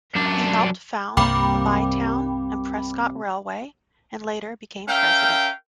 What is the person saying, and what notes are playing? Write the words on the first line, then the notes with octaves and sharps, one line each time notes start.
He helped found the Bytown and Prescott Railway and later became president.
F#2 D4
C2 G2 C3 G3 A#3 G5 B5 D6
C#4 A#4 E5 F5 G5